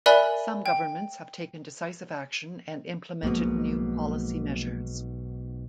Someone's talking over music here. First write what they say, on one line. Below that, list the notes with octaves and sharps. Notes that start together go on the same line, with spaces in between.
Some governments have taken decisive action and implemented new policy measures.
A#4 D5 E5 G#5 B5 F#6
G5
B1 F2 G#2 B2 G#3 A#3